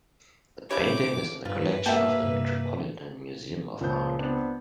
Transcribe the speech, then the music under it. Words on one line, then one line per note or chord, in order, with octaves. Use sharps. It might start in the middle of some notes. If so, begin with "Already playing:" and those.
The painting is in the collection of the Metropolitan Museum of Art.
C#3 E4 G4 C#5 D6 G6
G2 F4 B4
A#3 G4 E5 F#5 A5
G2 C3
C#2 A#2 C#3 F3 G6
B3 C4 D4